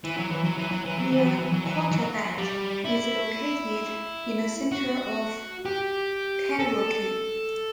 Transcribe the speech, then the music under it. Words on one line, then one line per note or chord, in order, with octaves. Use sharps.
Liaquatabad is located in the centre of karachi.
E3
F#3
E3
F#3
E3
F#3
E3
F#3
E3
F#3
E3
F#3
E3
F#3
G3
E4
F#4
G4
A4